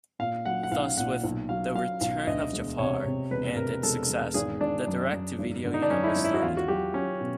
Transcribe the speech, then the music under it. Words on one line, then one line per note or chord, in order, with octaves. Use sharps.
Thus with "The Return of Jafar" and its success, the direct-to-video unit was started.
A#2 F5
F#3 F#5
F#5
B1 F5
A#2 F#5
B1
F#3 F5
F#3 F5
B1 F5
D2 D#5
E1
C3 C#5
C3
E1 B4
C3 A#4
E1 A4
E1
G#1 G#4
G#1 D4
F#2
F#2
G#1
D3
D#4
D4
F#2 C#4
E4
D#4
G#1
E4
F#4
E2 F4
F#4
F#3 G4
F#3 C#4
B2